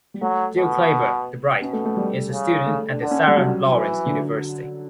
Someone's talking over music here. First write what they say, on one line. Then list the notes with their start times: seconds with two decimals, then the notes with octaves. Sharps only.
Jill Clayburgh, the bride, is a student at the Sarah Lawrence University.
0.14 G3
0.21 F#3 A3
0.57 B2
0.92 B3
1.62 B2 C#4
1.73 A3
1.85 A3
1.97 G3
2.32 C#3
2.66 A3
2.90 D4
3.02 D3 D4
3.11 C#4
3.27 G3
3.37 F#3
3.72 E3
4.06 D3